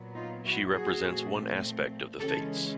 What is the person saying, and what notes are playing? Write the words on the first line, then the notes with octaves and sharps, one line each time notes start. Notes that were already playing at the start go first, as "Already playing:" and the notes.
She represents one aspect of the Fates.
Already playing: A#2 F#3 B3
D#4 F4
E4 F#4
F#4 G#4
A#2 F3 A3 C4
C#3 E3 G#3 C#4 G4 A4